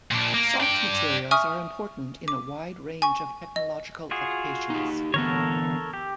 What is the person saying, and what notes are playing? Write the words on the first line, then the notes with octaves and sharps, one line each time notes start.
Soft materials are important in a wide range of technological applications.
A#2 D4
A#3
D4 G5
E5 G#5 C#6 D#6 F6
D6
G#5 C#6
D#5
F4 F#4 G#4
D#4 G4
D3 E3 B3 A4 A#4 C#5
G4